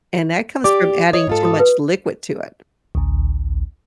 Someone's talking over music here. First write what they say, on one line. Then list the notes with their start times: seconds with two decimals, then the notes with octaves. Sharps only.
and that comes from adding too much liquid to it.
0.64 G4 D5 D6
1.13 C#5 D#5 D#6
1.27 G#2 F4 A4
1.43 F#4 D#6
1.60 B4
2.95 A1 D2